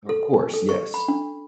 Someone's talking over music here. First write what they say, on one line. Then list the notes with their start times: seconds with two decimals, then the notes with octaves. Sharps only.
Of course, yes.
0.09 A4
0.54 A4
0.69 C#6
0.94 B5
1.08 D4